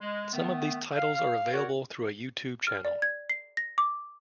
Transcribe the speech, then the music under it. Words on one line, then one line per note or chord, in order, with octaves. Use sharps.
Some of these titles are available through a YouTube channel.
G#3
D#3 A3 B3
F5
F#4 A#4 C#5 D5 F#5
F6
D5
G#6
C7
A#6
D6